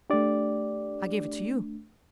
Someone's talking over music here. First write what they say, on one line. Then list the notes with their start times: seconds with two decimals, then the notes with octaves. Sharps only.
I gave it to you.
0.10 A3 D4 G4 D5